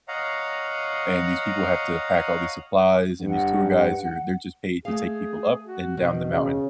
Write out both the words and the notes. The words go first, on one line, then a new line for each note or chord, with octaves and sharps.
and these people have to pack all these supplies, and these tour guides are they're just paid to take people up and down the mountain,
C#5 D#5 F5 F#5 A#5
G2 F#5
A3 G#4 F5
F#4
B2 D#3
C#3